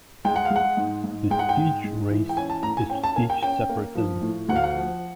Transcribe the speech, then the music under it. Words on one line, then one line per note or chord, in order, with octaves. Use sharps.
To teach race is to teach separatism.
G#3 G5
F#5
F5
G#3
F#5
G#2
G#2
G#3 G5
F#5
G5
G#2
G#3
E3
G5
C#4 G#5
A5
A2 A#5
G#5
C#4 G5
A5
A#3 G#5
G5
C#4 G5
A#3
F3
A2
D2 F#5
F5
F#5
F3